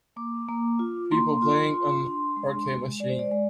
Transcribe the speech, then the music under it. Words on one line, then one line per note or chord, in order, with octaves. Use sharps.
People playing an arcade machine.
A#3 D6
A#3
F4
A#3 C6
F4
F4
D4
G#3
G#3
G#3 D5
C5
D5
G#3